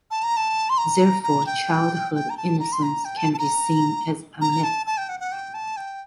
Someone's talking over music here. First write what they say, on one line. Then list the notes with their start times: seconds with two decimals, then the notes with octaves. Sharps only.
Therefore, childhood innocence can be seen as a myth.
0.11 A5
0.23 A#5
0.37 A5
0.70 C6
0.78 A#5
1.23 A#5
1.46 G5
2.15 G5
2.30 A#5
2.37 A5
2.59 A#5
2.72 C6
2.83 A#5
3.05 G5
3.17 A5
3.34 A5
3.39 A#5
4.41 A#5
4.64 A5
4.86 A5
4.97 G5
5.09 F#5
5.20 F#5
5.32 G5
5.54 A5
5.77 G5